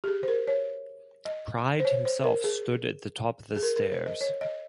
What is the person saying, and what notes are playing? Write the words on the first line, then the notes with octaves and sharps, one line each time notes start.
Pride himself stood at the top of the stairs.
G4
G#4
C5
A#4
C#5
D#5
C5
C#5
C5
A#4
G#4
G#4
A#4
A#4
C5
D#5
C#5
D#5